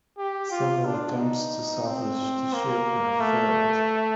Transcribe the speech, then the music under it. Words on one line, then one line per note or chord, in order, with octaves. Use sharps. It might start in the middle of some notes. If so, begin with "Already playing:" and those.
Several attempts to salvage the ship have failed.
G4
F4
D4
D#4
C4
A#3
A3